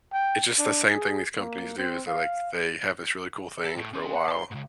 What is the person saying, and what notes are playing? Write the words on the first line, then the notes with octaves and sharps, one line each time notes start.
it's just the same thing these companies do, so, like, they have this really cool thing for a while,
G5
D4
G#4
A#3
C4
F5
A4
A2
C#4 B4
F#5
A5 C6
C#2 G#2